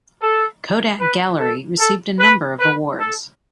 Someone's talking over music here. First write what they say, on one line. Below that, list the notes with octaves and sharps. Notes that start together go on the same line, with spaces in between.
Kodak Gallery received a number of awards.
A4
B4
A4
A4
B4
B4
A4